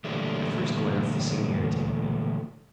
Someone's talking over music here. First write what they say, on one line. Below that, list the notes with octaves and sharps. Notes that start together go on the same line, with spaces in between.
At first glance the scene irritated me.
A#2 D3 E3 F#3 G3 A3